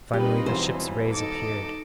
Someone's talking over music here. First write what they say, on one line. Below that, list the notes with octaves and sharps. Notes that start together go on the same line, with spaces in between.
Finally the ship's rays appeared.
G3 C4 D#4 F4 G4 B4
E1 E3 G3 C5
D#4 A4 D6